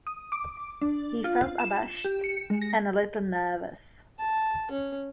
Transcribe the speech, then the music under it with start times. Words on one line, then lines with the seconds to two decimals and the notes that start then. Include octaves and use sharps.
He felt abashed and a little nervous.
0.07 D#6
0.32 D6
0.82 D4
1.24 F4
1.59 E7
2.05 G4
2.24 C#7
2.50 G#3
2.62 A#6
4.19 A5
4.71 C#4